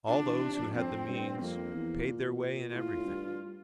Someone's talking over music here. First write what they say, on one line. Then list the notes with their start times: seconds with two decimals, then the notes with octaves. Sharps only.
All those who had the means paid their way in everything.
0.08 A#2 D4
0.25 E3
0.42 C3
0.58 F2
0.74 F2 C4
1.07 G2
1.41 F2 A#3
1.74 E2
2.07 A#2
2.73 A2 F4
2.96 A2
3.06 G2